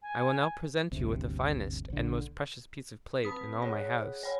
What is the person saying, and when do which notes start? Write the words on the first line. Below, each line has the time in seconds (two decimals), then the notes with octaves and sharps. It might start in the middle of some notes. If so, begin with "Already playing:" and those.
I will now present you with the finest and most precious piece of plate in all my house.
0.02 G#5
0.91 G1 D2 C3
1.90 A#1 D3
3.23 C4 B4 A5 B5 D#6 B6
3.62 G#4 C#5 F#5 F#6
4.23 C#5 F#5 G#5 B5